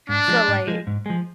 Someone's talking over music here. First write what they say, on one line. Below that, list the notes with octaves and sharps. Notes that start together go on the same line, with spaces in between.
So, like
G#2 D4
F3 G#3
G#2
F3 G#3
G#2
F3 G#3